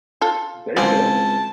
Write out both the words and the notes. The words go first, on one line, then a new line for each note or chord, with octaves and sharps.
there you go.
F4 A4
C#2 E3 F3 C4 G#5 A5